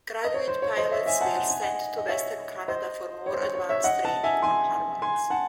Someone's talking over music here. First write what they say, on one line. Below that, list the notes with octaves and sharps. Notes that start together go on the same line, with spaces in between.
Graduate pilots were sent to western Canada for more advanced training on Harvards.
D#5
C#5
C5
C#5
C5 D#5
C#5 E5
E5 G#5
F#5 A5
F#5
G#5
D#5 F#5
D#5
C#5 E5
C5 D#5
C#5
C5
C#5
C#5
C#5 E5
D#5 F#5
F#5 A5
E5 G#5
G#5 C6
G#5 C6
F#5 A5